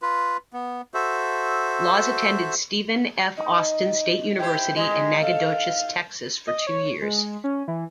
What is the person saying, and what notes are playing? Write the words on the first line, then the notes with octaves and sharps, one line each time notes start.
Laws attended Stephen F. Austin State University in Nacogdoches, Texas, for two years.
F4 B4
B3
F#4 A4 C5 E5
D#4
E4 G4 C5 G5
G#3 D#4 G4
A4 F5
D#5
C#5
G#3
C#4
E3